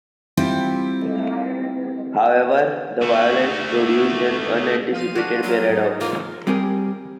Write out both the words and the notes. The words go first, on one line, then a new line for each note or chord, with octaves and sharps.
However, the violence produced an unanticipated paradox.
G3 C4 E4 F4 G4
A3 F#4
F3 F5 D#7
D4 F#4
F#3
G#2 D#4
A#3 F4
G3 C4 G4 G#4 A#4